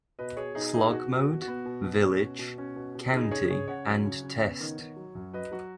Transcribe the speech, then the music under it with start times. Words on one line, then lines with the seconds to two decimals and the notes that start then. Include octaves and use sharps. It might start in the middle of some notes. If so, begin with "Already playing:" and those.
Slog mode, village, county and test.
0.19 B2 B4 D#5
0.37 B2 G#4 C#5
0.55 B2 D#4 G#4
0.74 B2 D#4 G#4
0.92 B2 F#4
1.11 B2
1.17 F#4
1.29 B2
1.42 F#4
1.48 B3
1.66 B2
1.84 B2
2.03 C#4
2.22 B2
2.39 B2
2.58 C#4
2.76 B2
2.95 B2
3.13 C#3 D#4 G#4
3.31 C#3 G#4 C#5
3.50 C#3 G#4 C#5
3.68 C#3 C#5 F#5
3.86 F#3
4.05 C#3
4.24 C#3
4.42 B3
4.60 D#3
4.79 D#3
4.96 F#3
5.15 F#2
5.33 F#3 B4 D#5
5.51 F#3 F#4